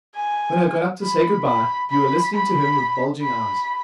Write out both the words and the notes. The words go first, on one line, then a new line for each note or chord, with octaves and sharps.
When I got up to say good-bye, you were listening to him with bulging eyes.
G#5
B5
B5
B5
B5
B5